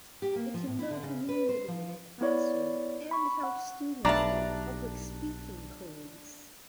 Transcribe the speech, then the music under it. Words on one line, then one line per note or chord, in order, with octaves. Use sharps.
It can build community in a classroom and help students gain public speaking cleans.
G4
A#3
F3
A2
E4
D3
C#3
B4
C5
F3
B3 E4 C#5 D5
B5 C#6
F#5
B1 G3 A3 D4 D5 F5 A5 A#5